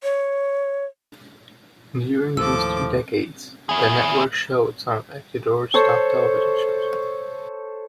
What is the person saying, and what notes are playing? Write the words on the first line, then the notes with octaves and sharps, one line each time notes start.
During these two decades the network showed some of Ecuador's top television shows.
C#5
D#2 A2 F3 A4 D6 E6
E4 G#4
A4 C5 C#5